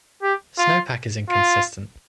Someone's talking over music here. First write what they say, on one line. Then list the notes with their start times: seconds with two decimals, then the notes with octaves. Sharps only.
Snowpack is inconsistent.
0.23 G4
0.58 F4
1.30 F4